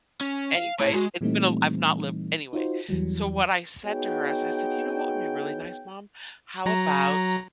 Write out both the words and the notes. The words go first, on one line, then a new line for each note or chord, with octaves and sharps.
anyway, it's been a l I've not lived Anyway, so what I said to her is, I said, "You know what would be really nice, Mom? How about
C#4
F5
A3 E4 C#5
G#3 F#4
A#2 E3 G3 A3 C4 D#4
D#4 F4 F#4 C5
E2 E3 F#3 G3
B3 D#4 F#4 G#4 C#5 G5
F#3 A#5